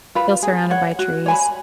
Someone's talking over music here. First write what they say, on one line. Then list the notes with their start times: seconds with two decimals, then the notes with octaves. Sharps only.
Still surrounded by trees.
0.15 F4 B4
0.43 G#4
0.71 C#5 F#5
0.99 F#4
1.26 C#5 G#5 B5